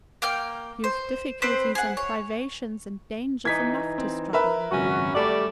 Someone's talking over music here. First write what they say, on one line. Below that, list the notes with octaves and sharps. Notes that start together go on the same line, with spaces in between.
You have difficulties, and privations, and dangers enough to struggle with.
A#3 G5 F6
C5
C4 B4 C5
G#4 F#5
C#5
E3 D#4 G#6 B6
C4
A#4 B4 E5
G#1 C#2 F#2 C#4 F#4
G3 A3 D5